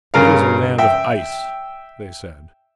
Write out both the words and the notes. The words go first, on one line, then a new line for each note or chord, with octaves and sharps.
"It is a land of ice," they said.
G2 C#3 A#4 F5
E5 G5